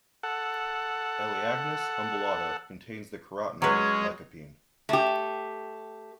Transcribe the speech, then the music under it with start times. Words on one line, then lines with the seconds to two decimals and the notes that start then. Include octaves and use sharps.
"Elaeagnus umbellata" contains the carotenoid, lycopene.
0.23 A4 F#5
3.62 F#3 G#3 C#4 G#4 B4 C#5
4.89 A3 G4